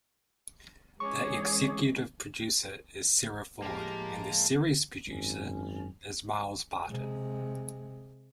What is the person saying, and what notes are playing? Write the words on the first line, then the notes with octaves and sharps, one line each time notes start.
The executive producer is Sara Ford and the series producer is Miles Barton.
E3 G#3 C#4 G#4 C#5 C#6 D6
A2 F3 G#3 A#3 G4 A#4 A5
G#1 F#2 C#4
C3 G#3